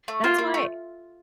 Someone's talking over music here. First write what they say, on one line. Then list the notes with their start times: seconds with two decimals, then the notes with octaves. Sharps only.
That's why
0.08 A3
0.24 A#3 F4
0.38 A#3
0.54 A3